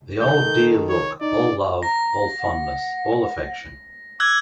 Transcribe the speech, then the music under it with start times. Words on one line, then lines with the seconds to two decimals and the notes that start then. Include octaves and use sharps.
The old dear look, all love, all fondness, all affection.
0.21 D#3 A4 G6
0.89 C#5
1.21 D#4 D5
1.83 A#5 A#6
2.38 F#5
4.20 D6 E6 F#6 G#6